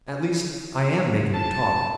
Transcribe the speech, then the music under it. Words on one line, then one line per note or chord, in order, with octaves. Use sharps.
At least, I am making you talk!
A5